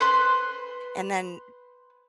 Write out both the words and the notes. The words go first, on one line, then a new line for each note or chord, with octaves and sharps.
and then,
B4 C5 C6